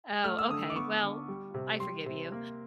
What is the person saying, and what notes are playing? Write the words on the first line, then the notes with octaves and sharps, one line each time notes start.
Oh, okay, well, I forgive you,
A3 F6
E6
D3 D#6
D6
B3 C#6
D3
G3
C3
G3 C6
C3
A#3